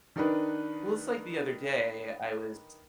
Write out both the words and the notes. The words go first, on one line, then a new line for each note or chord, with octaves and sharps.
Well, it's like the other day, I was
D#3 D4 D#4 A#4 B4